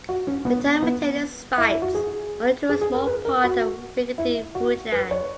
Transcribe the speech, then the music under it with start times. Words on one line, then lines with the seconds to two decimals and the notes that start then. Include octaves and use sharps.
The town maintained its rights only to a small part of the rickety woodland.
0.09 F#4
0.27 C#4
0.45 B3
0.82 B3
1.58 E4
1.70 E4
1.82 F#4
1.95 G#4
2.69 G#4
2.81 G#4
2.94 A#4
3.06 B4
3.25 A#4
3.44 F#4
4.18 E4
4.55 F#4
4.92 B4
5.11 C#5